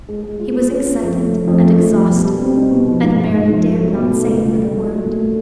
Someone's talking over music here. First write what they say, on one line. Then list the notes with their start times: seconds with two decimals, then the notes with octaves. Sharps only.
He was excited and exhausted, and Mary dared not say another word.
0.08 G#3
0.24 G#3
0.40 F4
0.55 F4
0.71 C#4
0.85 F4
1.01 F2
1.16 A3
1.33 F3
1.48 F2
1.63 A3
1.79 F3
1.95 G3
2.10 B2
2.25 G3
2.41 C4
2.56 D#4
2.71 B2
2.87 F3
3.02 G#2
3.18 G#2
3.34 G#2
3.50 F3
3.65 G#2
3.80 F#3
3.96 B2
4.11 A3
4.28 C#2
4.42 A3
4.58 A3
4.74 F#3
4.89 A3
5.05 A#2
5.20 A3